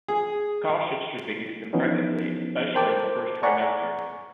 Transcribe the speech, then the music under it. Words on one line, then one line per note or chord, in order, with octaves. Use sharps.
Caution should be used in pregnancy, especially in the first trimester.
G#4
E3 F3 B3 C#4 D#4
A#4 C5 G5 A5 D6
D5 F#5 G#5 A#5 C#6